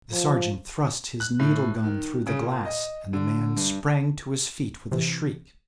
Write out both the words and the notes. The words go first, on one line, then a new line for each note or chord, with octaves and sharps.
The sergeant thrust his needle-gun through the glass, and the man sprang to his feet with a shriek.
F3
F#6
A2
D#3
C#3
A#2
D#5
D3
G2
C3 E3